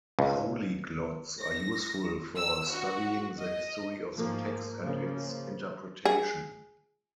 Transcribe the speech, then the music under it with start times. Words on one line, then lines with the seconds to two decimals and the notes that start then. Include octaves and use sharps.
Polyglots are useful for studying the history of the text and its interpretation.
0.19 C#2
1.40 A#6
2.36 E6
2.73 F#4
3.39 D#5
4.16 G#2 F3 A#3
4.80 C#3 F3 A#3
6.05 G#4